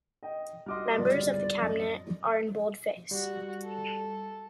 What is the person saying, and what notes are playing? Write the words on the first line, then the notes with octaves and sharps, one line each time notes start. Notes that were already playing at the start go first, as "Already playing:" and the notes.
Members of the Cabinet are in bold face.
D#5 G5
G3 F#4 D#5 C6 D6 F6
G1 C#2 D5
F#2 D#5
G3 F#4
A4